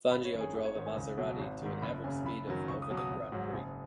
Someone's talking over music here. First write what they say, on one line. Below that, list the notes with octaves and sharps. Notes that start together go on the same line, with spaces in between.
Fangio drove a Maserati to an average speed of over the grand prix.
G#1 B5
C#5
F#2 D#3
G#4
G#1 G#4
C#5
G#2 D#3
G#5
C#2
B2 F#3
G#1
G#2 D#3
F#1 B5
F#2 C#3 G#5
F#1 B5
F#2 D#3 F#3
C#2 C#6
D#6
B2 F#3
D#6
G#1
G#2 F#3
F#1